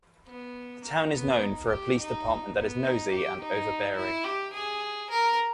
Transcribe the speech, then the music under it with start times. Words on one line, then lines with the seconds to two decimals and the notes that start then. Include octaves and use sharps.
The town is known for a police department that is nosy and overbearing.
0.27 B3
0.84 A#3
1.13 B3
1.42 D#4
1.69 G4
1.98 D#4
2.55 B3
2.83 D#4
3.11 G4
3.40 D#4
3.96 E4
4.24 G4
4.53 G#4
5.10 A#4